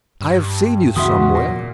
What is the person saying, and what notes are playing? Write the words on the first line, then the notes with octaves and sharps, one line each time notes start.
"I have seen you somewhere."
G2
E2 G#2 C#3 F#4 E5 C6 D#6
A#2